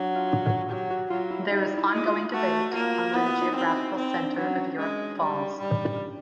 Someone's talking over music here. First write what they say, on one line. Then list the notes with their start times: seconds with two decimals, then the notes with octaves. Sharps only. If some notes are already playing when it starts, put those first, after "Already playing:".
There is ongoing debate on where the geographical centre of Europe falls.
Already playing: F#3 D4
0.15 F4
0.37 F4
0.42 F#4
0.69 F#3 G4
0.90 F#4
1.10 F#3 F4
1.31 E4
1.51 G3 D#4
1.78 E4
1.92 G#3
2.05 F4
2.33 A3 F#4
2.74 A#3 F4
3.14 B3 E4
3.42 D#4
3.56 C4 E4
3.69 D#4
3.96 C4 D#4
4.23 D4
4.37 F#3
4.51 C#4
4.78 G#3
5.19 G3
5.59 G3